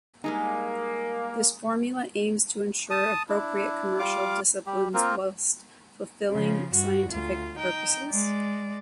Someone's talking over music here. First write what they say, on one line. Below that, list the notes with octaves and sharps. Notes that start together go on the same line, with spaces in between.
This formula aims to ensure appropriate commercial disciplines whilst fulfilling scientific purposes.
G3 G#3 A#3 D#4 G#4
A5 D#6
D4 E4
G3 F4 F5 D6
G3 G4
A#3 C4 F4 A#4
C#3 F3
G2 F#4
D2 F4
D#4 G5
G#3 D5